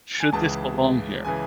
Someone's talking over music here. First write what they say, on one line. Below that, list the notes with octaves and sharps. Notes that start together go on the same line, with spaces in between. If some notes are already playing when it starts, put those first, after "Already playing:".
"Should this belong here?"
G#5
C#2 C#3 E3 A5
C#3 E3 G#5